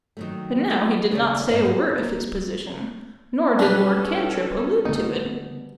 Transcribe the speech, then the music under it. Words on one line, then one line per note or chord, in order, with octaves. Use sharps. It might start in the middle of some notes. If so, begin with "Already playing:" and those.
But now he did not say a word of his position, nor did Lord Cantrip allude to it.
D#3 F#3 A3
F3 A3 A4 B4
D#2 C#3 C#4 D5
G#2 C#5 D#5 F5
F3
A#3
B2 G3 C#4 D4 A4 B4
D3 A3 B3 D#4